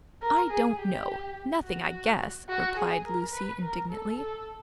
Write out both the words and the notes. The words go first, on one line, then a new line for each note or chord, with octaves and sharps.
"I don't know; nothing I guess," replied Lucy, indignantly.
A#4
G#4
G4
F#4
F#4
G#4
A#4
B4
A#4
A4
A4